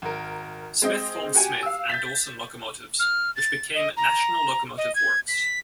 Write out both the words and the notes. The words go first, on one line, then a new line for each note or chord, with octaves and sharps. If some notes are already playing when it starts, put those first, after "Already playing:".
Smith formed Smith and Dawson Locomotives, which became National Locomotive Works.
G#1 A#4
G#3 C4 D#5
F#4 G4 G#5
F5 E6
G6 A6 B6
F6
A6
D#5
A#5
D#5
G#6
B6